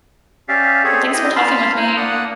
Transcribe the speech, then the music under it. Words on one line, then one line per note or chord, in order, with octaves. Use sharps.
Well, thanks for talking with me.
C#4 G4 D5 E5 F5
C4 G#4 A4 C#5
E4 G4 D#5
F5 A5 B5 C6 F6
E4 C5 A#5
A#3 D4 F#5 D#6 F#6